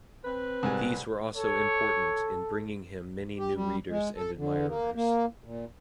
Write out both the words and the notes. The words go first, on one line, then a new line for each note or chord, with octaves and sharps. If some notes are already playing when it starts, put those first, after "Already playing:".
These were also important in bringing him many new readers and admirers.
C4 B4
C2 G#2 G#5
A4 C#5
G4
G3
G#3
A4
D3
A#3
A#3
A#2